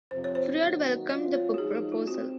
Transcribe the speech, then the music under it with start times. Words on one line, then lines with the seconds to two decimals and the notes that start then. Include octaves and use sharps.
Freud welcomed the proposal.
0.11 F2 C3 F3 C4 C5
0.24 C#5
0.35 C5
0.60 D#3 F#3 A#3 D#4 F#4
1.09 F#3 C4 F4 D#5
1.34 C#5
1.54 F#4
1.58 F3 G#3 D#4 G#4
1.75 F#4
1.92 F4
2.07 C4 F#4